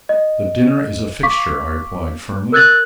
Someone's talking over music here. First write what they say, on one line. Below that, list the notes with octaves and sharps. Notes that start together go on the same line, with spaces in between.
"The dinner is a fixture," I replied firmly.
D#5
F5 C#6 D6 B6
A#4 E6 F#6 G#6 A6 F#7